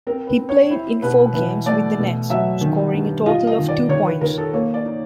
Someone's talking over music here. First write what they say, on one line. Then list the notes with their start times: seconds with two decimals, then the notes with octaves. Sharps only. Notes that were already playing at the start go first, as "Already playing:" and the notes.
He played in four games with the Nets, scoring a total of two points.
0.07 C4 A#4
0.27 B4
0.38 C4
0.49 C#5
0.70 E4 C5
1.02 B2 B4
1.33 E3 B4
1.65 A3 D5
1.98 B2
2.30 F#3 E5
2.61 D#3
2.93 G2
3.26 F4 D#5
3.47 D#5
3.58 D#3
3.68 D5
3.89 D#3 C#5
4.05 B4
4.21 D#3 A#4
4.38 A4
4.53 A#3 C#5
4.74 D5
4.85 D#4